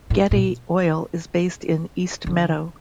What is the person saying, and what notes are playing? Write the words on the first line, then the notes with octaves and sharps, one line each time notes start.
Getty Oil is based in East Meadow.
A2
A#2
D3